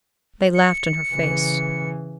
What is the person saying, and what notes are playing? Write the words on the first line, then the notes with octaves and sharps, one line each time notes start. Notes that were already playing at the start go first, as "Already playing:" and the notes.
They laughed in her face.
C#7
C#3 E3